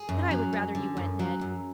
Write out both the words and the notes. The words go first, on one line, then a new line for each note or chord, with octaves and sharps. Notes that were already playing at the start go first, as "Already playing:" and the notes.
But I would rather you went, Ned.
Already playing: G#4
F#2
F#3
F#2
D3
F#2
F#3
F#2